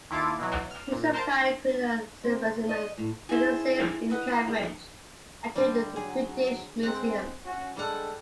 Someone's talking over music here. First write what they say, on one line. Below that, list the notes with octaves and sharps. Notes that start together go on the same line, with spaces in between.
He supplied crinoid specimens to Agassiz in Cambridge and to the British Museum.
D#2 E4 F4 A4 D6 D#7
B2 E3 F#3
F6
A#2
A#4 C5 A5 C6 D7
C4
C3
D#5
A2
E4 G#4 C5 G#5
B4 D#5 F#5
G#3
D3 G3
F#3 G#4
G#3 C4 F#5
C#4 F#4
G3 G#3 D4 A4 F#5